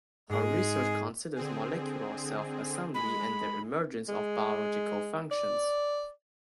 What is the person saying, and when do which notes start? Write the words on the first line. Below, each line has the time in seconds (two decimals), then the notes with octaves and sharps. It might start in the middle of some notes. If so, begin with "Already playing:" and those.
Her research considers molecular self assembly and the emergence of biological functions.
0.29 G#2 G#3 G#4
1.36 D3 C4 G#4
2.94 G#3 B5
4.08 G#3
5.31 D5